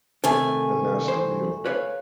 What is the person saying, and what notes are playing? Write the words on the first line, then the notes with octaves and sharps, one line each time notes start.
a nasty meal.
C3 D#3 A3 G#5
C2 E3 C5
B4 C#5 F5